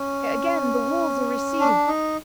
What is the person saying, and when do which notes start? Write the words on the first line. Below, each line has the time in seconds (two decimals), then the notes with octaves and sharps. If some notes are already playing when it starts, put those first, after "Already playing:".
Again the walls are receding....
Already playing: C#4
1.60 D4
1.87 D#4